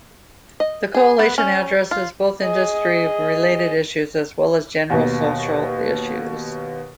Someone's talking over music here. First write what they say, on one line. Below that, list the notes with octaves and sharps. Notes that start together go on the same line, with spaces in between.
The coalition addresses both industry related issues, as well as general social issues.
D#5
G#4
B3
C#4
F4
G#4 D#5
D#2 B2